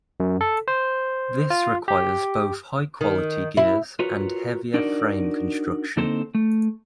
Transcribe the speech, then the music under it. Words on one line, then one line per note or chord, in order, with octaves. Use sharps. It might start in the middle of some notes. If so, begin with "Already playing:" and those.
This requires both high quality gears and heavier frame construction.
F#2
A4
C5
F4
G4
D#3
E4
F4 F#4 A#4 B4 C#5
D4 D#4 F#4 A#4 D5
D3 A#3 C4 D#4 A4 C5
A3